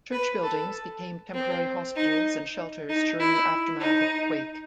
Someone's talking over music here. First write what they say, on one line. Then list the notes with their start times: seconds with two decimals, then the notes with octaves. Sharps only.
Church buildings became temporary hospitals and shelters during the aftermath of the quake.
0.12 B4
0.43 A4
1.35 C4
1.96 D#4
2.89 D#4
3.20 E4
3.81 D#4